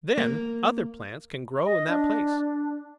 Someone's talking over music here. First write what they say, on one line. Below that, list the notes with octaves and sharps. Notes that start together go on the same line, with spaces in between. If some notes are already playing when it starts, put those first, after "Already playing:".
Then other plants can grow in that place.
A#3
D#5
D4